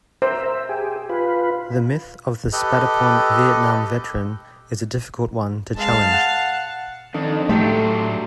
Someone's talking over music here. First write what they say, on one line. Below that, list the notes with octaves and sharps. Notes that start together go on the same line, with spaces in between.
The myth of the spat-upon Vietnam veteran is a difficult one to challenge.
A#4 C5 E5
E5
G4 G#4
F4 B4
G4 A4 B4 D#5
G#3 F5 A5
F#5
F2 D#3 D4 D#4 A4
A2 F#3 A3 D4 G4 A4 E5 C6